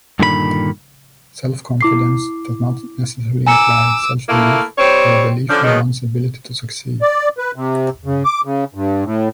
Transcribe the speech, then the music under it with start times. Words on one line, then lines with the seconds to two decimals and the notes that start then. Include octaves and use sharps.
Self-confidence does not necessarily imply "self-belief" or a belief in one's ability to succeed.
0.20 G2 A#2 D3 D#3 A4 B5
1.81 E4 D6 C7
3.47 G#5 A#5 D6 E6 C#7
4.29 A3 A#3 E4
4.78 G3 C4 C#5
5.50 D3 F3 C#4 D4
5.64 B2 D#3 F#3 G#3
7.01 D5
7.38 B4
7.56 C3
8.06 C#3
8.25 D6
8.45 C#3
8.74 G2
9.04 A2